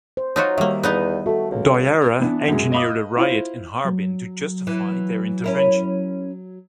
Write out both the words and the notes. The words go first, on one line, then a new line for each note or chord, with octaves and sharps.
Doihara engineered a riot in Harbin to justify their intervention.
C5
F#3 D#4 F4 F#4
D#3 G3 A#3 E5
E2 B3 D#4 D#5
A3 F#4 A4
C#2
E3 B3 D4
F#2 G#3
D#5 F5 B5 D6 D#6
E4 F4 C5
F#3
E3
C#4 E4 A#4